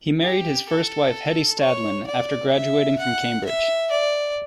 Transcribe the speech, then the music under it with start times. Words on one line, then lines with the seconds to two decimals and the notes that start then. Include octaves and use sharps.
He married his first wife Hedi Stadlen after graduating from Cambridge.
0.22 G4
0.68 A4
1.60 C#5
2.06 D5
2.53 E5
2.99 F#5
3.45 E5
3.91 D5